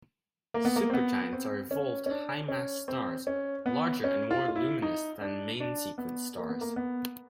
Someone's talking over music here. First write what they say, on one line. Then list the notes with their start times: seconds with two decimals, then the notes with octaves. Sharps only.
Supergiants are evolved high-mass stars, larger and more luminous than main-sequence stars.
0.54 A#3
0.65 B3
0.76 A#3
0.90 C4
0.93 B3
1.22 B3
1.33 C4
1.71 C#4
2.06 C#4
2.11 D4
2.48 C#4
2.88 C4
3.27 C#4
3.66 B3
4.04 C#4
4.31 F4
4.48 F4
4.56 E4
4.82 D#4
5.21 D4
5.60 D4
5.98 B3
6.37 A#3
6.49 B3
6.61 A#3
6.76 B3